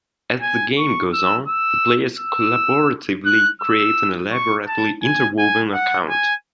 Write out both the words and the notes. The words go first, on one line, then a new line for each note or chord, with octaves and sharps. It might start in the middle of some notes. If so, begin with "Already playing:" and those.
As the game goes on, the players collaboratively create an elaborately interwoven account.
G#5
C#6
E6
E6
E6
F#6
E6
C#6
A5
G#5
G#5
F#5
G#5